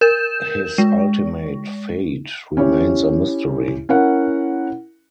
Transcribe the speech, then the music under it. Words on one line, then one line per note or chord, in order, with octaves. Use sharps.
His ultimate fate remains a mystery.
A#4 G6 E7
G#3
C#4 E4 G4 C#5
C#4 E4 A#4 F#5